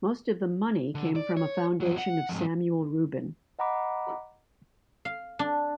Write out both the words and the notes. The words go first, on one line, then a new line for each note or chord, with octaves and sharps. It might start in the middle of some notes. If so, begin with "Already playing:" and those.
Most of the money came from a foundation of Samuel Rubin.
D3
D5
C#5
E2 F#3
F#5
F2 G#2
D#5 F#5 A#5 B5 D6
F5
D4